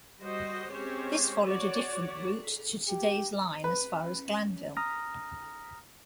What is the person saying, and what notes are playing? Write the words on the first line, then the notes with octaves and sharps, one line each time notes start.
This followed a different route to today's line as far as Glanville.
G3 F#4 C5 D#5
G#3 C4 C#4 G4 C5 C#5
F#4 C#5 D5
G4
B4
A#5 D#6 F6 A#6